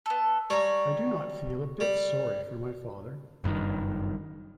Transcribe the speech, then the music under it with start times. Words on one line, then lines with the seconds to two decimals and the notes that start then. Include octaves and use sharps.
I did not feel a bit sorry for my father.
0.06 B3 A4
0.50 G3 C#5 A#5
1.80 G3
3.44 F#1 G2 C3 D#3